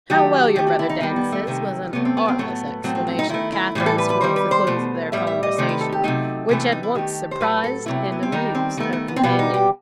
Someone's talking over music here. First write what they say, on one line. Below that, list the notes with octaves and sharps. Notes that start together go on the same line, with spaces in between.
"How well your brother dances!" was an artless exclamation of Catherine's towards the close of their conversation, which at once surprised and amused her companion.
D#3 F#3 A3 G4
D#3 A3 G4
F#4
E4
D#4
D#3 G3 B3
B3
A3
C3 D#3 A3
C3 F#3 A3 B3
C4
B3
C4
A2 F#3 A3 B3
A2 F#3 A3 C4
C4
C4
D#4
D#3 A3 E4
E4
A2 E3 G3 G4
A4
B4
B4
D#3 G3 C5
B4
C5
B2 A3
A2 G3 E5
E5
D#5
C3 D#3 A3 C5
B4
A4
G4
C3 F#3 A3 D#4
C3 E3 A3 B3
A3
D#4
E4
D#3 A3 G4
C5
A2 F#3 A3 B4
A4
C3 F#3 A3 E4
B3
C4
D#3 G3 D#4
C4
D#3 A3 B3
A3
B3
C4
B2 G3 B3
D#4
G4